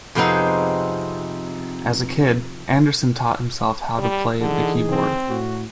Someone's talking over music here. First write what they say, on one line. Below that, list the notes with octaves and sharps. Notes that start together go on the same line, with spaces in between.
As a kid, Andersson taught himself how to play the keyboard.
F2 C3 B3 C4 D#4 G#4
G3
D3 E3 D#4 G#4
C4
A2 F#4